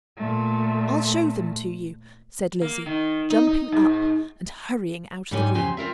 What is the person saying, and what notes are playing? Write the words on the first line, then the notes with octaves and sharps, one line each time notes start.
"I'll show them to you," said Lizzie, jumping up and hurrying out of the room.
A#2 A3
A#3
D#3
D#4
D#4
G#2
G#2 D3 G3 D#4 C#5 G#5
F2 C#3 C4 G4 G#5
C4 F4 A#4 E5